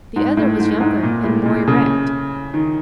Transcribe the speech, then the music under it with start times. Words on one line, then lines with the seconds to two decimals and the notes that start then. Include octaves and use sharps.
The other was younger and more erect.
0.16 G#2
0.37 A2
0.60 G#2
0.81 G#2
1.03 A#2
1.24 A2
1.46 A#2
1.67 C#3
2.54 D#3